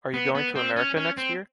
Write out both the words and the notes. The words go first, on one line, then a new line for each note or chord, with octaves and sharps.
Are you going to America next year?
B3
B3
C4
C#4
C#4
C4